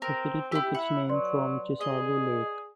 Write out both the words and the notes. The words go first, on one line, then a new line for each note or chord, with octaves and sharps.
The city took its name from Chisago Lake.
C4 A#4
E4 G4 E6
E4 F#5
F#3 B4 D5 C6
G#4 D#5